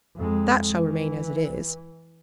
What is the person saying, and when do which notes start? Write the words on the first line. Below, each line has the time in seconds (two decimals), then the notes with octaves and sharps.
That shall remain as it is.
0.16 F2 G#3
0.79 E3